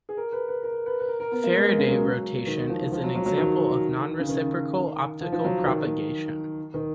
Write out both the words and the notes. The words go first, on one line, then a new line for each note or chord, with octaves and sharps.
Faraday rotation is an example of non-reciprocal optical propagation.
G#4
A#4
B4
B4
A#4
B4
B4
A#4
A#4
B3
A#3
G#3
C#3
F#3
D#3
F3
F3
F#3
F#3
F#3
D#3
C#3
D#3
F3
F3
F#3
D#3
D#3